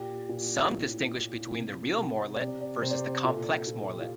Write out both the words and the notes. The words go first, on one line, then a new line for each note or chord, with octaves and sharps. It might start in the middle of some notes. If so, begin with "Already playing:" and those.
Some distinguish between the "real Morlet" versus the "complex Morlet".
Already playing: A#2 G4
A#2
A2
A2
C3
C3
C3 D5
D5
C3 C5
D5
C5
A#2 A4
A#2
G4
F4